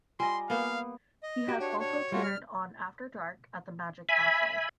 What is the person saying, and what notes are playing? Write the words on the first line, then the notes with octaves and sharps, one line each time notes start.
He has also appeared on After Dark At The Magic Castle.
G3 F4 D#5 G#5 C6
A#3 B3 F5
D#5
F#4 G4
D4 C#5
C#5
G3 A3 F4 F#4
F6
E5 G#5 B5